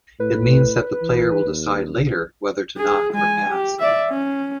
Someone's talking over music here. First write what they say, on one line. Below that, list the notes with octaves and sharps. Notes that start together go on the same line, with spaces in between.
It means that the player will decide later whether to knock or pass.
A2 B4
E3
D#2
G#4
G#3 G#5
G4
D5 E5
C#4